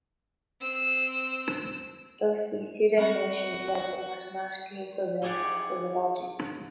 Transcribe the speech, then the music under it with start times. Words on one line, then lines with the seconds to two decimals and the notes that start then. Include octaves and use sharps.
Thus, these two definitions lead to mathematically equivalent classes of objects.
0.60 C4 E6
2.98 G3 C4 F#4 F#5 B5
5.22 D#4 E4 G4 G#4 D5 F#5